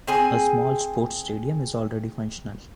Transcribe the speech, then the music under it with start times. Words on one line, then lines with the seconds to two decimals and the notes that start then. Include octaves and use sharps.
A small sports stadium is already functional.
0.07 C4 G#4 G#5